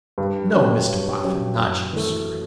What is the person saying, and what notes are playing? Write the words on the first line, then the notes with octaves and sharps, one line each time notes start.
'No, Mr Boffin, not you sir.
G2
F#3 C#4 G4 C#5
G2
F#3 C#4 G4 C#5
F#2
E3 A3